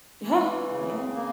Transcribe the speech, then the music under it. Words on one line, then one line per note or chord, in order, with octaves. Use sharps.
Uh-huh. Yeah.
E3
C#3
A#3